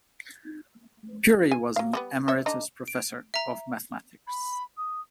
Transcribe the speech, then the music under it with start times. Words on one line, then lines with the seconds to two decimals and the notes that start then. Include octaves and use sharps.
Puri was an Emeritus Professor of Mathematics.
1.51 G#5
1.76 F#3 F5
1.93 G3 G#3 B3
2.28 C5 C#5 E5
2.46 D3 D4 D#4
2.88 D7
3.34 E5 A#5
4.27 B5
4.77 D#6